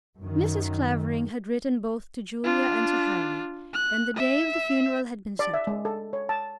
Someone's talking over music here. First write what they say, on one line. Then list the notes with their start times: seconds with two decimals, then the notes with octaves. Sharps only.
Mrs. Clavering had written both to Julia and to Harry, and the day of the funeral had been settled.
0.19 F#2 D#3
2.44 D4 F4
3.73 F#6
4.16 E5
5.39 D5
5.54 E5
5.67 G#3
5.85 A4
6.13 C#5
6.29 A5